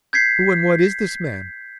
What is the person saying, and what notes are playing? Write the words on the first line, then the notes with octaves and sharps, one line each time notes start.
"Who and what is this man?"
G6 G#6 B6 C7